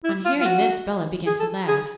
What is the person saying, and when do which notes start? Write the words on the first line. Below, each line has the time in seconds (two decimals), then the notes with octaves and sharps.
On hearing this Bellah began to laugh.
0.04 E4
0.25 F4
0.41 F4
0.45 F#4
1.26 G#4
1.40 A4
1.68 G#4